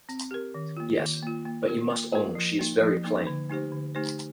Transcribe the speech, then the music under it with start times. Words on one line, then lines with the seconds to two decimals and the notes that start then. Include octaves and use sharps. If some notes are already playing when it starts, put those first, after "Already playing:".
Yes; but you must own she is very plain.
0.09 C4
0.31 G4 A#4
0.54 D#3
0.77 A#3 F4
1.00 D#3
1.23 A#3 F4
1.45 A#3
1.67 F4 A#4
1.90 A#3
2.13 F4 A#4
2.35 F3
2.59 A#3 D#4
2.82 F3
3.04 A#3 D#4
3.27 D3
3.50 A3 D#4 G4 C5
3.72 D3
3.95 A3 D#4 G4 C5